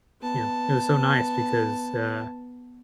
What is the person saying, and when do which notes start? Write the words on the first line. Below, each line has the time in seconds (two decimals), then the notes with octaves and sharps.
you know, it was so nice because, uh,
0.22 B3 A5